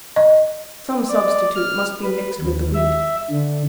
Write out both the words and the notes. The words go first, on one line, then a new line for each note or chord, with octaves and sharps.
Some substitute must be mixed with the wheat.
D#5
D5
F6
B4
D#2
E5
D3